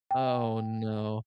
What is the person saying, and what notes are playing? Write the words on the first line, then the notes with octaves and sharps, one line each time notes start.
Oh no.
G5